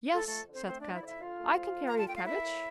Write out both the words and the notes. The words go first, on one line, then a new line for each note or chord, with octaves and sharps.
"Yes," said Kat, "I can carry a cabbage."
F3 A3 A4
F2 A3 A4
D3 C4 C5
A3 C4 C5
F3 D4 D5
E4 E5
F2 E4 D5 E5
D3 F4 F5
A3
F3
F2
D3 A#5
A5
A3 G5
F5
A#3 E4 E5
A2